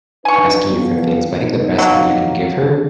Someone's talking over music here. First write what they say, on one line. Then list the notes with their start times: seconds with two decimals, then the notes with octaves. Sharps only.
asking you for things but I think the best thing you can give her
0.25 D4 D#4 B4 G#5 C#6
0.64 F3 G3 B3
1.39 B2 D#4
1.78 F#3 A#3